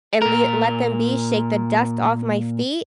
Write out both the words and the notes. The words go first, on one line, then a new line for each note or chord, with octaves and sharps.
and le let them be, shake the dust off my feet,
A#2 A#4